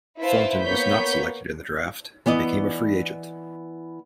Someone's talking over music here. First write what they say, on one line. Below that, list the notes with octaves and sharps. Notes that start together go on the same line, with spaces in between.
Thornton was not selected in the draft and became a free agent.
E4 B4 C5 F5 A5
A#3 B3 B4 C#5 G6 B6
E3 B3 D5 D#5